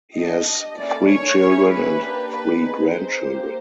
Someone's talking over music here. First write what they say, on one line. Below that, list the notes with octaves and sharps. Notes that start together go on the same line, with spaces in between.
He has three children and three grandchildren.
D4 G4 D#5
A#3 C#4 E4 A4 D5
C#5
C#4 E4 G#4
B4
A#3 D4 G4
B4
C4 D#4 G#4
C5
A#3 D#4 G4